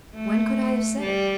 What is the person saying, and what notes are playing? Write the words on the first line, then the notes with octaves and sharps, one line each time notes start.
"When could I have said it?"
A3
G3